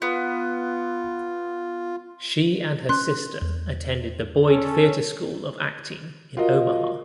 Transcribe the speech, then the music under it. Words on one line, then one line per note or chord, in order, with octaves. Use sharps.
She and her sister attended the Boyd Theater School of Acting in Omaha.
B3 F4
C#4 C6 F#6
E2
C#4 A4
F4 F#4 A#4 D#5